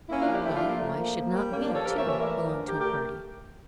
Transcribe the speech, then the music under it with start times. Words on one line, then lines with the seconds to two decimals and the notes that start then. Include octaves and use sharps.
Well, why should not we, too, belong to a party?
0.09 A#3 C#4 E4
0.21 D4 F4
0.27 F3
0.32 E4 G4
0.44 A3 E4 G4
0.56 D4 F4
0.63 F3
0.68 A#3 D4
0.80 A3 A#3
0.97 F3
1.15 A#3
1.33 G3
1.51 A#3 C#4
1.61 A#3 D4
1.68 F3
1.73 A4 C#5
1.85 A#3 G4 A#4
1.97 C#5 E5
2.03 E3
2.08 C#5 E5
2.20 A3 A#4 D5
2.38 F3
2.56 D3
2.67 G4 A#4
2.73 A3
2.79 G4 A#4